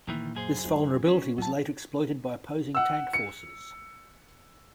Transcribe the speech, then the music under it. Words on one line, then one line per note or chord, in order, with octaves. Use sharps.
This vulnerability was later exploited by opposing tank forces.
D2 A#2 D#3 E3
F#2 G#4 C5
F3 G#3
C#4 C5
F#3 D4 A5
F#5 E6
C#7